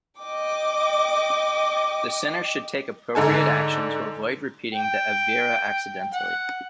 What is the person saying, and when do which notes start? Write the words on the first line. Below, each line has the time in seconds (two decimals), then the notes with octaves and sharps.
The sinner should take appropriate action to avoid repeating the "aveira" accidentally.
0.19 D#5 G5 D6
3.15 G#2 D3 A4 G#5
4.74 G5
6.14 F#5